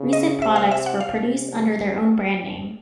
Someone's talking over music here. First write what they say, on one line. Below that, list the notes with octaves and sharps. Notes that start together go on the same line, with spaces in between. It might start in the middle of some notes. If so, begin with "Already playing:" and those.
Recent products were produced under their own brand name.
Already playing: C#3
D#5
C3 E5
F5
E5
F#5
C3 F5